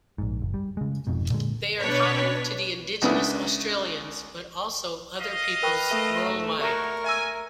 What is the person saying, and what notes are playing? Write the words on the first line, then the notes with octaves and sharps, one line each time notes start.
They are common to the Indigenous Australians but also other peoples worldwide.
A#1 G#2
F#1
G3
C#3 G#3
F1 F2 G#2 B2
A#2 D3 G#3
B2 D4 B4 C#5 B6
C#2 B3 D4 E4 D#6
D#5 F5
A#4 B4 G5 C#6
A3 E5
G#2 E5
D#4 E4 F#4 G4 A#4 E5 C#6
E5 G#5 E6